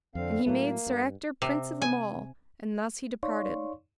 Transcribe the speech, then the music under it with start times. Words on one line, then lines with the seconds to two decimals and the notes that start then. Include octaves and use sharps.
And he made Sir Ector prince of them all, and thus he departed.
0.15 F2 D3 C4 F5
0.46 A2 F#3 A3 A#3
0.87 G2
1.42 C3
1.82 G#5
3.23 D#4 C#5 D5 F5 C6 C#6